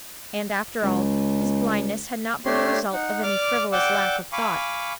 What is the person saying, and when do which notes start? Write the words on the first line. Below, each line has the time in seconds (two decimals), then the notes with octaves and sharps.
And, after all, his blindness had not been the result of any frivolous lack of thought.
0.83 C#2
2.45 A3 D4 G4 C#5 C6
2.93 D#4 F#5
3.23 D5 D6 F6
3.72 D5 F#5 G5 D6 E6
4.32 F5 G#5 B5 C#6 D6